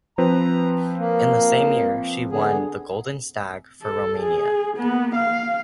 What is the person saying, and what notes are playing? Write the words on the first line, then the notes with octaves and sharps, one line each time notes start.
In the same year, she won the "Golden Stag" for Romania.
F3 C4 B4 A#5
A#3
D3 B3 G#4
A4
G#4
A#3 B3
F5